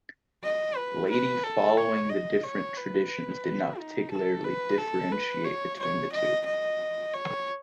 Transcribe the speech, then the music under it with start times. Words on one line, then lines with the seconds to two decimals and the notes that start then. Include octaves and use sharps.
Laity following the different traditions did not particularly differentiate between the two.
0.43 D#5
0.76 B4
1.10 B4
1.44 A4
1.77 C#5
2.10 D#5
2.44 C#5
2.77 B4
3.78 D#4
4.11 A4
4.44 B4
4.78 A4
5.12 B4
5.45 C#5
5.79 C#5
6.12 D#5
6.46 D#5
7.13 C#5